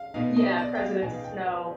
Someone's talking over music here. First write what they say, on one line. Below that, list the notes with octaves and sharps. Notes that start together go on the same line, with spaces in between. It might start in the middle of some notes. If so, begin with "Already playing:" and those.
Yeah, President Snow.
Already playing: F5
B2 B3 D#4 F5
D#5
D5
G5
F5
B2 B3 D#4 G#5
F5
G5
B4